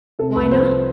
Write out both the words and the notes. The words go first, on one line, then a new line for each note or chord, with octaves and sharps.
Why not?
C3 A4
C2 B4
F3 C5
C5